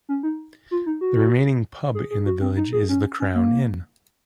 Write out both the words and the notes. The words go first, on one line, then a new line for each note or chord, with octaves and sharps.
The remaining pub in the village is the Crown Inn.
C#4
D#4
F4
D#4
F#4
G#4
G#4
F#4
C4
D#4
G#4
C#4
C#4
A#3